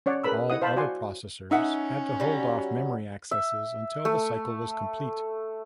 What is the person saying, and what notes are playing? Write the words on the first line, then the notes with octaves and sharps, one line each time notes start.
All other processors had to hold off memory accesses until the cycle was complete.
C#4 C#5 D5 F#5
G#4 A#4 B4 B5 E6
E4 D#5 F#5 D#6
C5 F5 A5 B5
F#4 D5 F#5 G#5 C6
C#4 D#4 E5 F#5
F#3 G3
E5
A3